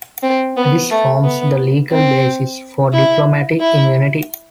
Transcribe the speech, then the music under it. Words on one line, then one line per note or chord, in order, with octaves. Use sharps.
This forms the legal basis for diplomatic immunity.
C4
B3
A3
B3
C4
E4
E4